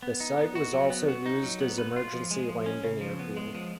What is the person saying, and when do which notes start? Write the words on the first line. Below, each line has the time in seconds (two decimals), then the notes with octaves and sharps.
The site was also used as emergency landing airfield.
0.03 B3
0.20 D#4
0.38 B3
0.55 F#4
0.73 F#3
0.90 B3
1.08 F#4
1.26 D#4
1.43 F#3
1.60 B3
1.78 B4
1.96 F4
2.14 F3
2.31 G#3
2.49 F3
2.66 C#4
2.84 C#3
3.01 F3
3.19 B3
3.37 G#3
3.55 F3